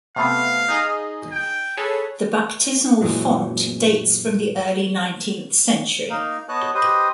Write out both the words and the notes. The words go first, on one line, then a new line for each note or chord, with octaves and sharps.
The baptismal font dates from the early nineteenth century.
C3 A3 B3 F5
D#4 G#4 D#5
G5
G#4 A4 B4 C#5
F#2 A#2 E3 F#3 G#3
A#3 D#4 A#4 F5
B3 C#5 D#5 A5 F#6
G4 B4 C5 D#5 D#6